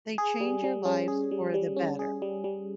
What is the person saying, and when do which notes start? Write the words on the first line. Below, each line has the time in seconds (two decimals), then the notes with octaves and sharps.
they change your lives for the better.
0.18 G#4
0.40 G3
0.64 G3
0.85 C#4
1.08 G#4
1.31 G3
1.54 G3
1.76 C#4
1.99 G#4
2.22 G3
2.44 G3